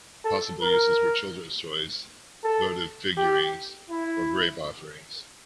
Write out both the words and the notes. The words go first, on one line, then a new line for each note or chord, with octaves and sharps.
Possible uses were children's toys, votive figurines or grave offerings.
A4
A#4
A4
G4
E4